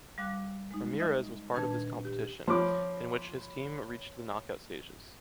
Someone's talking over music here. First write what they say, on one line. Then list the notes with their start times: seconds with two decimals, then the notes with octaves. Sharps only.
Ramírez was part of this competition, in which his team reached the knockout stages.
0.18 G3 F5 D6 F#6
0.71 G#3 D#4
0.99 D#5 E5 D#6
1.54 A#2 D#3 D4 B4 A5 G#6
2.05 G4
2.47 F3 C#5 B5 C6 D6